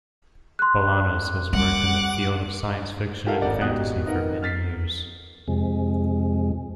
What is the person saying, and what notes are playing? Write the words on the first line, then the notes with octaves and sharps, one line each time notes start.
Balanos has worked in the field of science fiction and fantasy for many years.
C6 F#6
G3 F#5 D6
F4 G4 A4 A#4 F5 F#5
G#1 D5 F#5
G#1 B2 G4 D#5 D#6 F#6
B3 D#4 A#4 F#5
F6 A6 B6 C7
F2 C3 G#3